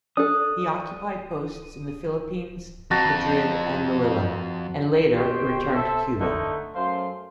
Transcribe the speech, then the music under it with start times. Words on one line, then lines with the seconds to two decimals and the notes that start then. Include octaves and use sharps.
He occupied posts in the Philippines, Madrid, and Melilla, and later returned to Cuba.
0.17 D4 A4 D#6
2.91 F2 F#4 A5 A#5
5.14 B2 D#3 G4 C5 C#5 G5
5.73 A4 C5 E5
6.19 D3 A3 D#4
6.75 F#2 A3 C5 F5 C6